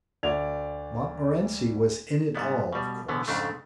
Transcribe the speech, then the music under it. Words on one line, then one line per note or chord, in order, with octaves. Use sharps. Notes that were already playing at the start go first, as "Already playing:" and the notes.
Montmorency was in it all, of course.
D2 D5 G#6 F7
G#2 G3 B3
B2 G3
B2 D3 E3 B3
F2 G#2 C#3 A3 D4